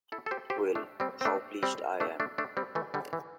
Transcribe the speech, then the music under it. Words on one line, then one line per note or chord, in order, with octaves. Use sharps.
Well, how pleased I am!
E4 A4
A4
G4 C5
G4 C5
A3 D4
G3 C4
C4
A3 D4
G3 C4
A3 D4
A3 D4
A3 D4
G3 C4
E3 A3
D3 G3
E3